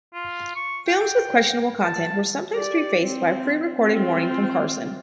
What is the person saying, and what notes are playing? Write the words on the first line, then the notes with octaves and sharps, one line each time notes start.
Films with questionable content were sometimes prefaced by a pre-recorded warning from Carson.
F4
C#6
G5
A5
G4 D5
C4
C4 F4